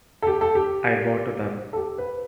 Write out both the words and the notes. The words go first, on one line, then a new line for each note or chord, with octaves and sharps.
I bow to them.
A4
G4
A4
G4
A4
G4
B4